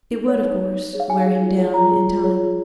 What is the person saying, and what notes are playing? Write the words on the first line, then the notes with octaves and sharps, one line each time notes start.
It would, of course, wear him down in time.
D#4
C#5
D#4
C#5
D#4
G#4 C#5
F5
D#4 G#5
G#4 C#5
F4
G#4 C#5
F4 A#5
G#4 C#5
F4
G#4 C#5
F4